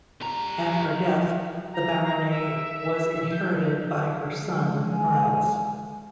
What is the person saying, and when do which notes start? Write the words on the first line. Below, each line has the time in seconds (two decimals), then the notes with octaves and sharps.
At her death, the Barony was inherited by her son Myles.
0.21 G3 A#5
1.73 A#5
2.28 E5
3.31 G6
4.39 G#3
4.90 G#5